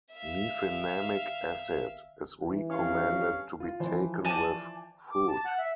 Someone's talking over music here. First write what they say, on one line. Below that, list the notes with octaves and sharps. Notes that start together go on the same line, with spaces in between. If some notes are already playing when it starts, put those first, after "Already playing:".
Mefenamic acid is recommended to be taken with food.
E5 F5
E3
G2 C#4 F5
F4
E3 F3 C5
D5 G#5 A5
D6
A5
F#5
E5